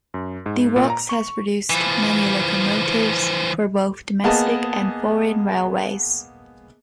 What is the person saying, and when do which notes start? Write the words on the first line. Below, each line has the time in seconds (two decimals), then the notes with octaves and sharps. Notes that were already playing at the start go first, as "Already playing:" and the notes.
The works has produced many locomotives for both domestic and foreign railways.
0.14 F#2
0.46 G#2
0.76 A#2
0.90 A#5
1.09 C#6
1.70 E3 F3
4.24 A#3 B3 G#4 D#5 A5